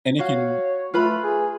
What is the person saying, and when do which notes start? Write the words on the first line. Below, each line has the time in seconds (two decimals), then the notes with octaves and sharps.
And it can
0.19 F#4 C#5 F5
0.94 A3 F4 B4 B5
1.24 G#4